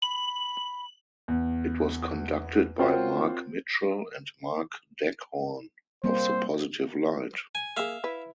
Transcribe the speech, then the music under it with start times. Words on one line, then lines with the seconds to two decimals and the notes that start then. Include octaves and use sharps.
It was conducted by Marc Mitchell and Mark Daghorn of The Positive Light.
0.02 B5 F#7
1.28 E2
2.79 C4 F4 F#4 A#4 C5 C#5
6.04 G3 A#3 C4 C5
7.55 G#5
7.77 A#3 G#4 E5 F5
8.04 E4 B4